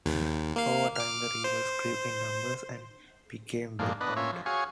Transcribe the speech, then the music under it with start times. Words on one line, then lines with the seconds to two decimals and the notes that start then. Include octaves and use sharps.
Over time the rebels grew in numbers and became well armed.
0.06 D#2
0.56 A#3 F5
0.96 D6 F6
1.44 C5
3.79 G2 A#2 F3 G#3 A#3 D4
4.01 B3 D4 B4 D#5
4.17 A#3 C#4 F4 C#5 E5
4.32 F3
4.46 F#4 G#4 C#5 F5 G#5 C#6